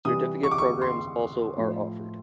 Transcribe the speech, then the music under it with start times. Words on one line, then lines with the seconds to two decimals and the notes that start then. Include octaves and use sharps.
Certificate programs also are offered.
0.05 C3 E3 G3 D#6
0.43 C#6
0.51 D6
0.58 C#6
0.82 C6
1.58 A2 F3